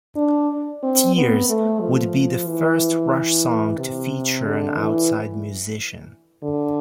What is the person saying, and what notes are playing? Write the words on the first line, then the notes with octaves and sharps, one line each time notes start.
"Tears" would be the first Rush song to feature an outside musician.
D4
C4
B3
A3
F3
E3
C3
D3
E3
D3